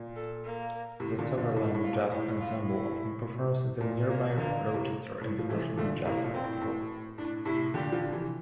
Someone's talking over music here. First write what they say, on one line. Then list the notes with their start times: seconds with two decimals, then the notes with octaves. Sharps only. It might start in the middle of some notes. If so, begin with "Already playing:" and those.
The Sutherland Jazz Ensemble often performs at the nearby Rochester International Jazz Festival.
Already playing: A#2
0.16 A4
0.44 A#3
1.00 A2 C3
1.19 A#2 D3
1.38 A#2 D3
1.56 A2
1.75 A2
1.84 F4
1.93 A#2
2.12 A2 G4
2.40 F4
2.68 E4
3.81 A#2
4.09 A#3
4.37 A#2 D3 A#3
4.74 A2 C3
5.21 A2
5.39 F3
5.49 C3 E3 A3
5.77 A#2 D3 A3
6.05 A2 C3 A#3
6.24 A#2
6.34 C4
6.44 A2
6.62 A2
7.18 A2 D4
7.45 A2 C3 E4
7.74 A#2 D3 G4
7.92 D3 F3
8.11 C3 E3